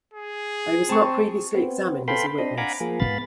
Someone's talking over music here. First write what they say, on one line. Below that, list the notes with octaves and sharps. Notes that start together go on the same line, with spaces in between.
I was not previously examined as a witness.
G#4
C4 A5 C#6
B3 C4
A4 B4 F5 G5 B5 C6
C4 D4 D#5
F5 F#5 G#5 A#5 B5 D6
F3 A#3 G#4
G#2 B3 F5 B5 A6